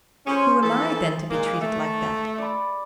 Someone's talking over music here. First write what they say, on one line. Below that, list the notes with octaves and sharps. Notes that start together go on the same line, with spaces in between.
Who am I, then, to be treated like that?
C#4 G#4 C5
E3 F3 A4
A#2 G#3 A#3
A3
D5 B5